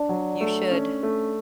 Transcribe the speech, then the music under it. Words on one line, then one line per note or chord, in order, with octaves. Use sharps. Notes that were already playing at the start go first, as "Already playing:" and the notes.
You should
Already playing: D4
F#3
A3
C#4
A3